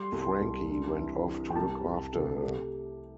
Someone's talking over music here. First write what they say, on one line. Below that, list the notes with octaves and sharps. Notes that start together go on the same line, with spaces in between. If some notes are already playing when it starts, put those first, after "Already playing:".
Frankie went off to look after her.
Already playing: G3 C6
C2
C2
D4
E3
E3
G5
C2 A5
C2
C3 A4
A3 G4